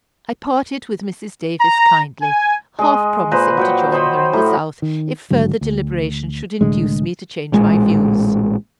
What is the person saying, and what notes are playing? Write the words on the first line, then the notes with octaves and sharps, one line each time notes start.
I parted with Mrs. Davis kindly, half promising to join her in the South if further deliberation should induce me to change my views.
A#5
G#5
G#3 D#5
A#2 B4 C5 A#5
F#3 F#5 G5
C5 D#5 B5
A2 A#5 B5
D#3
G#1 G#2 D3 F#3
D2
C2 A2 D3 G#3
A1 A#2 G#3